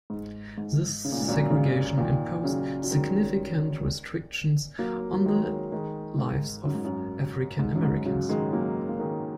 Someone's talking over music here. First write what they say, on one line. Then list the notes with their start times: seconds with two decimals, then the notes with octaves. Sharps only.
This segregation imposed significant restrictions on the lives of African-Americans.
0.10 G#2
0.57 G#2
1.05 C#3
1.12 A#2
1.21 G#2
1.28 F#2 A#2
1.50 G#2 C#3
1.97 A#2 D#3
2.44 C#3 F#3
2.83 F#3
2.91 D#3 G#3
4.79 F#3 A#3
5.14 F#3
5.25 D#3 G#3
5.72 D#3 G#3
6.18 G#2
6.66 F#2
6.75 G#2
6.85 F#2
7.59 G#2
7.75 F#2
7.83 G#2
8.06 C#3 F#3
8.29 D#3 G#3
8.53 F#3 A#3
8.89 A#3
8.99 D#3 G#3